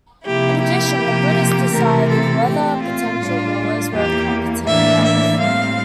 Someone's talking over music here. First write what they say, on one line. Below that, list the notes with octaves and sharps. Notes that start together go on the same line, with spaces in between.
In addition, the British decided whether potential rulers were competent enough.
C3 F3 A#3 E4 G4
G4
C3 F3 A#3
C3 E3 A3 C4 A#4
A4
A#2 A3 C4 G4
F4
A2 G3 D4
E2 E3 A#3 G4
A2 E3 A#3 D4 E5
E5
A2 G3 C4 F5